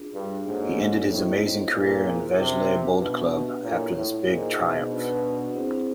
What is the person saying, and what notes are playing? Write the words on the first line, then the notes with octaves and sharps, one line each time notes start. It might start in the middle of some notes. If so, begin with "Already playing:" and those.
He ended his amazing career in Vejle Boldklub after this big triumph.
Already playing: D4 F4 G#4
G2
G#2 A#3 D4 F#4 A4 C#5
A2 B3 E4 G4 C5 D#5
A2
A#2 E4 G#4 C5
C3 D4 F4 A#4 D5
B2 B3 D4 G4 B4 E5
A#2 E4 A4 C#5 F#5
A2
A#2 D#4 G#4 C5 D#5
B2
D4 F#4 B4 D5 F#5
C4 E4 G#4 C5